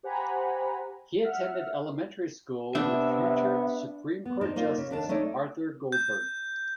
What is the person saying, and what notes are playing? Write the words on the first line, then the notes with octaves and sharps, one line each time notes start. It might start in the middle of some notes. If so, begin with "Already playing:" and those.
He attended elementary school with future Supreme Court Justice Arthur Goldberg.
G4 C5 F#5 G#5 A#5 B5
E5 F#5 F6
C3 B3 D4 E5
B3
D4 D#4 C5
A#3 D#4 F4
C#3
D#2 D4 A5
A3 D#4 A4 C#5 D5
G6